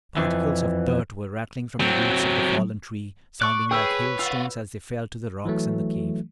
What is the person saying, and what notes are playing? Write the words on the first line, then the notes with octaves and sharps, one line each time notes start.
Particles of dirt were rattling from the roots of the fallen tree, sounding like hailstones as they fell to the rocks in the cave.
F2 E3
F#3 C4
D5 C#6 F#6
G#4 B4 C#5 G5 E6
F4 F#4 E6
E3 F#3 A3